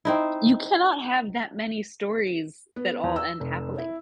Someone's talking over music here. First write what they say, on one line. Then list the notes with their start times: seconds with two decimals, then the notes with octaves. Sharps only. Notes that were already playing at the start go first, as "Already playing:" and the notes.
you cannot have that many stories that all end happily.
0.05 C4 D#4 E4
2.76 B3
3.03 E2
3.16 E6
3.40 F1
3.78 E4